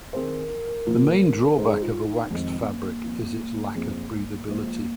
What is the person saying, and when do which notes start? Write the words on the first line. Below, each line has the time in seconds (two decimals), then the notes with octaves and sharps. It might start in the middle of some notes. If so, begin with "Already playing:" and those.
The main drawback of a waxed fabric is its lack of breathability.
0.13 D#3 C4 G#4 A#4 C5
0.87 A#2 F3 A#3
1.58 G#3 D#4 G#4 C5
1.83 F4
2.06 D#4
2.30 F2 D#3 G#3 C4
2.60 C4
2.67 A#3
3.03 F3 C4 F4
3.75 F2 F3 C4 G#4
4.47 F3 G#3 A#3 F4 C5